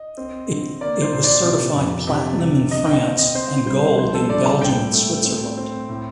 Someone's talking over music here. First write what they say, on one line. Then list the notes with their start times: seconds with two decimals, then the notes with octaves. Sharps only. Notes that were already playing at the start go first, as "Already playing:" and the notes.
It was certified Platinum in France and Gold in Belgium and Switzerland.
Already playing: D#5
0.17 C4
0.50 D3
0.81 A#3 D5
1.02 C5
1.13 A#2
1.24 D5
1.45 C3
1.76 F2
2.07 C3
2.40 C3
2.71 D3 D#5
2.87 G5
3.04 C4
3.19 D#5
3.35 C4 C5
3.66 G3 C5
3.98 F3 C5
4.14 A4
4.29 G2 D5
4.46 A5
4.62 A2 G5
4.94 A3
5.25 C4
5.57 C4
5.89 A2